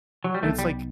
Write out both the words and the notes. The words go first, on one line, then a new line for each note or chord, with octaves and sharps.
and it's like
F#3
G3
C2 C3 F#3 A3 B3 D#4
G3